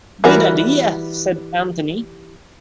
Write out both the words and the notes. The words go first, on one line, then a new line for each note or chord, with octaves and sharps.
"Good idea," said Anthony.
E3 G3 F#4 A#4